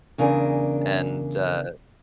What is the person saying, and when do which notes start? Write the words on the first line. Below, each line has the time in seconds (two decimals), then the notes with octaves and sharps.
And, uh
0.18 E2 C#3 D4 A#4 G#5